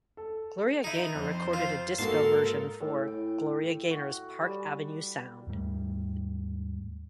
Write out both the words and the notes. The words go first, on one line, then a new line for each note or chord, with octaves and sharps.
Gloria Gaynor recorded a disco version for "Gloria Gaynor's Park Avenue Sound".
A4
D#4 E4
F2 C5
F4
G#2 A#3 F#4 A4 A#4 A5 C6
A2
G5
F#4
G3
D#2 G#2 G3 A3